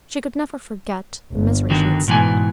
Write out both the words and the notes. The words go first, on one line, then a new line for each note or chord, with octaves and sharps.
She could never forget the misery she had seen.
G1
D3 D#3 F#4
G#2 B2 E3 G#5